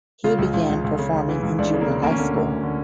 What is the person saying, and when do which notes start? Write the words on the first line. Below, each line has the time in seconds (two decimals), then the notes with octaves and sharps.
He began performing in junior high school.
0.24 C#3 F4
0.39 C#2
0.54 C#2
0.69 C#2
0.84 C#2
0.99 C#3
1.13 C#2
1.29 E3
1.43 C#2
1.58 C#2 D4
1.74 C#3
1.81 A#3
1.88 C#3
2.03 D2 A#3
2.11 C#4
2.18 D3 A#3
2.33 D2
2.48 D2
2.63 D3